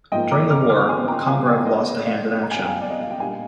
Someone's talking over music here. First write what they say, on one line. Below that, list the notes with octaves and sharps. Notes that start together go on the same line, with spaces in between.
During the war, Congreve lost a hand in action.
G#2 F3 A#3 D#5 G5
A#5 D6
D6 F6
D6 F6
G#5 C6
G5 A#5
F5 G#5
D#5 G5
A#2 G#3 D#4 C5 D#5
D5 F5
A#5
G#5
G5
F5 G#5
D5
D#5
F5
G5
A#2 G3 D4 F5 G#5